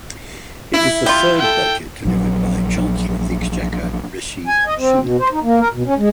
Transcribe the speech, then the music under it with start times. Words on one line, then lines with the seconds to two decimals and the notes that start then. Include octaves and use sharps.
It was the third budget delivered by Chancellor of the Exchequer Rishi Sunak.
0.74 E4
1.06 G3 F4 G6
1.38 A4 G5
2.05 A#1 F#3
4.47 G#5
4.67 D#5
4.79 C4
5.00 B2
5.20 C5
5.32 D#4
5.44 A#3
5.60 A#4
5.73 B2
5.86 C#4
5.98 G#3